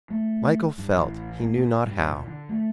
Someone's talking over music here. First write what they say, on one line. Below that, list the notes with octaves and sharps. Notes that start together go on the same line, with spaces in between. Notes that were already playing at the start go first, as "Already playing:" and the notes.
Michael felt he knew not how.
A3
G2
A1
A#3
A#2
G2
A#2
D3
A3